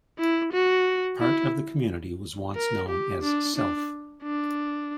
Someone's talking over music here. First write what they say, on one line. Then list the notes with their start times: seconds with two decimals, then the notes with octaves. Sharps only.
Part of the community was once known as Self.
0.19 E4
0.53 F#4
1.20 E4
2.56 A#4
2.89 G4
3.22 D4
3.56 D4
4.24 D4